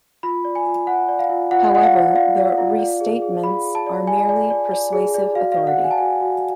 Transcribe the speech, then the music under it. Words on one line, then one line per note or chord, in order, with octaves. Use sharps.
However, the Restatements are merely persuasive authority.
F4 B5
D5
G#5
F4
F4 F#5
D5
F5
F4
F4 F#5
D5 F#5
F5
F4
D5 F5
D5
F4
D5
G#4
G#4
G#4 B5
G#4
A5
D5
D5 G#5
D5
D5
D5
G#4
D5
F#4 F5
F5
D5
F#5
F#4
G#5
A5
F#4 G#5
F#4